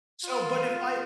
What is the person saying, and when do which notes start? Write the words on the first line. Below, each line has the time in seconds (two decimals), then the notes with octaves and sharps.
So, but if I
0.24 F4